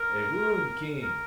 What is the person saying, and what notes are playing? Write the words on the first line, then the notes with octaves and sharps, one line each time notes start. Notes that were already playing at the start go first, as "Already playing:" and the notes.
"A boon, King!"
Already playing: A#4
A#4